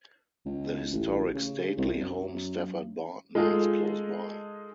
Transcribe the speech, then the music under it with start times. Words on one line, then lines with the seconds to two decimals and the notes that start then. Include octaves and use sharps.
The historic stately home Stafford Barton is close by.
0.45 C#2
0.92 A1
1.34 C#3
1.78 C2
2.00 F#2
3.35 G#3 D#4 F4 G#4 A4